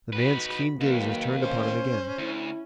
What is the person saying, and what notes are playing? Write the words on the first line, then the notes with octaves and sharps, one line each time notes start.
The man's keen gaze was turned upon him again.
D#4 F#4 B4 B5
D#2 F#3 A#3 B4
C#4 C5
D2 E4